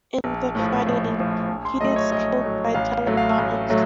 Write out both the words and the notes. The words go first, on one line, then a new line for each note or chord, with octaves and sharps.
In the fighting, he is killed by Telegonus.
A#1
A2 F3
A#1
A2 F3
A#1
C6
A2 F#3 A3 D#5
D#5
C#5
A#1 D#5
A2 F#3 A3
A1 F5
A2 F#3 A3
F5
A1
A2 F#3 A3